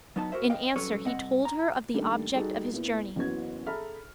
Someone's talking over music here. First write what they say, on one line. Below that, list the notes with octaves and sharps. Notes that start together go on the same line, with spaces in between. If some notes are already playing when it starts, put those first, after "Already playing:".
In answer he told her of the object of his journey.
F#3 B3 D#4 D#5 A5
F#4 A#4 C5 E5
B4 D#5 F5 G5
C2 F#3 C#4 A4 B4 C#5
C2 C4 D#5 F#5
A#5
D#3 G3 A3 A#3 D4
G3 D#4 F#4 G#4 A4
A#2 B3 E4
F#1 E3 B3 C#4 F#4 G#6
G#4 A4 E5 A#5 B5 F6